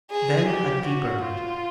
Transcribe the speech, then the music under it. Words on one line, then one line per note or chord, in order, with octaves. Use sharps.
Then a deeper matter.
G#4
G4
F#4
F4